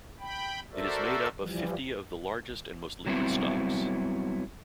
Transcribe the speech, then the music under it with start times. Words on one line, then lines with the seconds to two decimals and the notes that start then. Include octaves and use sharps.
It is made up of fifty of the largest and most liquid stocks.
0.20 G5 B5
0.73 F#4 A4 A#4 C5 D5 E5
1.38 E3 F3 G3
3.06 F#3 G3 B3 C4 E4